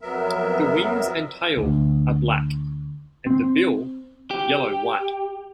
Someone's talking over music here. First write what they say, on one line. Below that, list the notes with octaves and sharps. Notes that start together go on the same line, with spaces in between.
The wings and tail are black and the bill yellow-white.
F2 F#3 B3 A#4 E5
D2
C4
G4